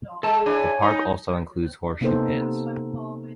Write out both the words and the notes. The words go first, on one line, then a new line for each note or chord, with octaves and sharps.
The park also includes horseshoe pits.
G#3 A4 A5
D4 E4 C#5 G#5
D#4
C3 A#3 B3 D#4 A4 C5